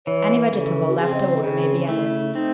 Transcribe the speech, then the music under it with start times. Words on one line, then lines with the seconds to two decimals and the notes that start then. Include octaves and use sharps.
Any vegetable left over may be added.
0.06 E3 C#5
0.52 C#3 A4
0.89 F#4
0.98 C4 G#4
1.14 D#5
1.21 C#5
1.29 C5
1.36 A4
1.44 C#3 G#4
1.89 A3 E4
2.34 C4 D#4